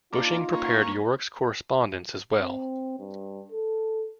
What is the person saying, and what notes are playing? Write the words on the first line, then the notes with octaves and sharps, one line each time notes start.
Bushing prepared York's correspondence as well.
A#3 D4 D#4 F4
A#3 C#4
C4
G2
A4